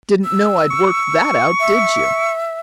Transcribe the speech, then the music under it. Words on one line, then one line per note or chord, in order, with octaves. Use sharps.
Didn't know I'd worked that out, did you?
E6
C#6
E5